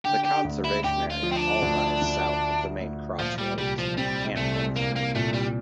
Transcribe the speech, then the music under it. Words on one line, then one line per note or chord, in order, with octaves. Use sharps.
The conservation area all lies south of the main crossroads and Main Street.
D3 G4
G4
D2
E4
D2 G4
F4
F3
C4
D4
D2
D2
A3
A3
A#2 F3
G3
C2 G3
F3
G3 C4
C2 A3
C2 A#3
A#3
A#2 A3
G3